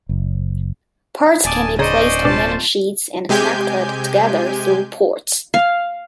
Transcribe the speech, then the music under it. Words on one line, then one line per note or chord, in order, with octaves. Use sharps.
Parts can be placed on many sheets and connected together through ports.
F#1
D1 D5 D#5 G#5 A5
C#3 C#4 G#4 C5 D5 D#5 A#5
B2 D4 F4 A5
C3 G#3 G4 G#5 G6
F5